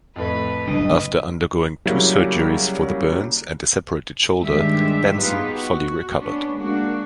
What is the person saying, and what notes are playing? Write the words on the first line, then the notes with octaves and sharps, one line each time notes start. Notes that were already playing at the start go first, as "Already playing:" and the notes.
After undergoing two surgeries for the burns and a separated shoulder, Benson fully recovered.
F2 A2 B4 B5
F#1 G3 D4 B4 D#5
C#3 F#3 G3 A#3 E4 G4
G2 D#3 G#3 D4 G4 E5
B3 D#4 F4 G4 G#4 B4
F#4
B3 C#4 D4
G#3 A#3 D4 F#4